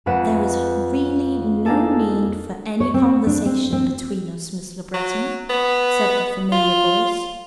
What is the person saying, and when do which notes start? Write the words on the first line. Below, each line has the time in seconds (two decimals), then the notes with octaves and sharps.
"There is really no need for any conversation between us, Miss Le Breton," said the familiar voice.
0.06 F2 G#3 B4 F#5 E7
1.66 A#3 D4 D#4 G#4 A4
2.80 C#5
2.94 C4
3.27 D4
3.46 C4
3.73 C4
4.94 F#3
5.50 B3
6.52 F4